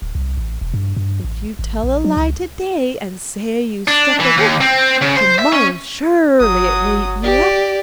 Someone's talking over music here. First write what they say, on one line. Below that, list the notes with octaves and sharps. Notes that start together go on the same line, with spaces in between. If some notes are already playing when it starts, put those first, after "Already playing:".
If you tell a lie to-day and say you struck a wolf, to-morrow surely it will eat you up.'
D1
C2
A1
E1
G2
G2
A1
G#1
A#1
F#3
C#2
D4
E3
D#2
C4
C#3
C5
E5
C#4
G1 F#3 D#6
G4 D5